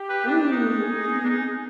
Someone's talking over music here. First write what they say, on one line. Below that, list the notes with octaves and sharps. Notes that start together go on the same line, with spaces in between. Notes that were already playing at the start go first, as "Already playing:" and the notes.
"Ooh, can you
Already playing: G4
B4
D4
D#4
G#4
D4
D#4